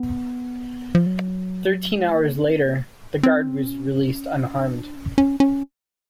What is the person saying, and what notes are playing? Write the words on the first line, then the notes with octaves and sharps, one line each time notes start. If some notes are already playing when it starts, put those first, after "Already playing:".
Thirteen hours later, the guard was released unharmed.
Already playing: B3
F3
F#3
G#3
A#3
C#4
C4
A#3
C4
C#4
D4
C#4
C#4
C#4